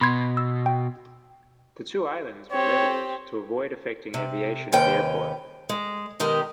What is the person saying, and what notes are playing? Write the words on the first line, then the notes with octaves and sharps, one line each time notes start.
The two islands were leveled to avoid affecting aviation of the airport.
B2 B5 C6 G#6
E6
G5
C4 G4 C#5
C3
D#2 C3 C#4 B4 G5
G#3
B2 D#3 G#3 G4 A#4